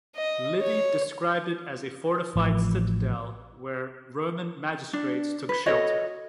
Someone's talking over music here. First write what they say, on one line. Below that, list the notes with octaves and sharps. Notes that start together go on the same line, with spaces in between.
Livy described it as a fortified citadel where Roman magistrates took shelter.
D#5
C#5
A1 F3
D4
B4
F#4 A4 C#5 D#5